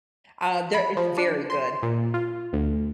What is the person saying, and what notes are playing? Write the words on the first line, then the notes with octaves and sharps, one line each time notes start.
Uh, they're it's very good.
B5
F3
D4
C6
A#2
F4
D2